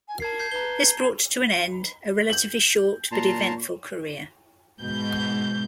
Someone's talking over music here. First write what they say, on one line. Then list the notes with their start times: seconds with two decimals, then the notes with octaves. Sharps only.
This brought to an end a relatively short but eventful career.
0.08 G#5
0.20 A#4 A5 G#6 C7
0.39 G6 G#6 C7
0.51 B4 A#5 G7
2.30 G6 F#7
3.12 A#2 A5 A#5 C6
4.80 G#2 B2 G6